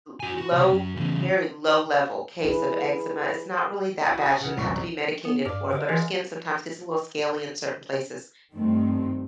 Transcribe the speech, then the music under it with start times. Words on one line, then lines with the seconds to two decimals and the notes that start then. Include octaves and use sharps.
l low very low level case of eczema, it's not really that bad, she doesn't have to be medicated for it, but her skin sometimes gets a little scaly in certain places.
0.20 F#4 G#5
0.38 F#4
0.52 C#2 C3
0.67 F#2
0.96 E2 C#3
2.45 E4 G#4 B4
4.06 E4 F#4
4.19 F#5 G#5 A5 C#6 D#6
4.40 C#3 F#5
4.57 E1 C2 F#2 C4 D5 C#6
5.25 B3
5.45 G2 D5 F5
5.72 D3 A#4 D#5 F5
5.89 E3 G#3
8.54 G2 D#3 A3 C4